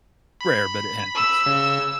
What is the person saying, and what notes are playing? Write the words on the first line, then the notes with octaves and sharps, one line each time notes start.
Rare, but it happens.
B5
E6
C#3